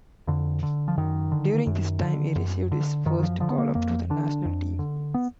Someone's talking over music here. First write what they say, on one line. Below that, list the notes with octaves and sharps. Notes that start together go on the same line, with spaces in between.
During this time, he received his first callup to the national team.
F2 D3
D3
F3
F#2 D#3
D3
F#2
D3
F#2
D3
F#2 D#3
D#3
F3
D3 F3
B3
A#3
F2 A#3
D3 D4
F2
D3
B3